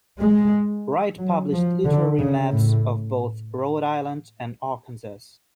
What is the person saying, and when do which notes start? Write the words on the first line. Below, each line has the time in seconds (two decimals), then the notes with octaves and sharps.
Wright published literary maps of both Rhode Island and Arkansas.
0.20 G#3
1.18 F#3
1.51 F3
1.85 D3
2.18 C#3
2.52 A2